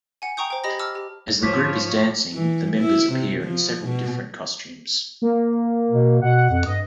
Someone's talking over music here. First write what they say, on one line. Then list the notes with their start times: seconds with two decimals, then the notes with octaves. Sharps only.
As the group is dancing, the members appear in several different costumes.
0.22 F#5 G#5
0.37 G5 A#5 C#6 D#6 G6
0.50 C5 G5
0.64 G4 D#5 B5 D#6 A#6
0.79 A5 D6 E6 F6
0.95 G4
1.43 G#2 F3 G#3 C#5 D6 B6
2.33 E3
2.79 E4
3.12 C3
3.43 F3
3.86 B2
5.22 A#3
5.90 B2
6.22 B2 F#5
6.50 F2
6.66 G2 D#5